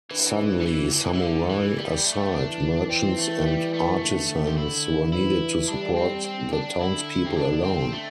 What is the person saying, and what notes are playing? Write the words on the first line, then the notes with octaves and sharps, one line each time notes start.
Suddenly, samurai aside, merchants and artisans were needed to support the townspeople alone.
E3 D4
D3
E3
E3
E3
D3
E3
G3
A3
E3 D4
C4
A3
G3
A3
D3
G4
E4
E3 E4
G3 D4
C4
C4
D4
D3 E4
C4
D4
C4
A3